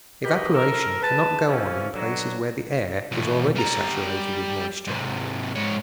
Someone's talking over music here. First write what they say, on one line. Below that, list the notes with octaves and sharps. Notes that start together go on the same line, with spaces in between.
Evaporation cannot go on in places where the air is already saturated with moisture.
F#4 G4 A#4 B4 D#5
C4 A4 A#4
G#4 B4 A5
G2 C3 E3 F3 C#4
B2 D3 F#3
E2 B2
G3 A#5
G#2 C3
G#2 C#5